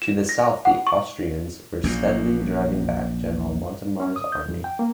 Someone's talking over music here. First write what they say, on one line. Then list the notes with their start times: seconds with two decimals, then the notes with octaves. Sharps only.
To the south the Austrians were steadily driving back General Montemar's army.
0.02 E7
0.29 A#6
0.65 F#5
0.87 C#6
1.84 A#1 F#2 A#2
4.00 C#4
4.16 D#6
4.32 G6
4.49 F2
4.64 G5
4.79 A#3